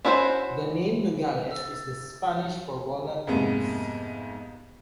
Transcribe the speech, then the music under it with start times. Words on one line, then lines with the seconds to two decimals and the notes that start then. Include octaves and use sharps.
The name "Nogales" is the Spanish for walnut trees.
0.05 C#4 E4 F#4 A#4 C5
3.27 F2 G#2 C3 G#3 A#3 B3